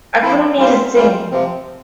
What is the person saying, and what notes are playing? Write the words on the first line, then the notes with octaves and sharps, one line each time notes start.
I couldn't eat a thing.
F3 C4 E4 A4 C5
E3 G3 C4 F4 C5
E3 G3 C4 F4 C5
C3 F3 C4